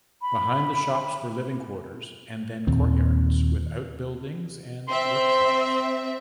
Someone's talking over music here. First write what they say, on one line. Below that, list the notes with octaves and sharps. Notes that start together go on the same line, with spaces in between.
Behind the shops were living quarters and then courtyards with outbuildings and workshops.
B5
D#2 A#2 D#3 C4
C4 E5 C6